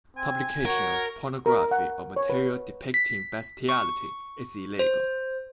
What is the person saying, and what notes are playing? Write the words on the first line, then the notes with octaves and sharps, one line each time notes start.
Publication of pornography or material depicting bestiality is illegal.
C4 G#5
F#4 A#4 C#5
A#4
F#5
C#5
B4
B6
C#6
C5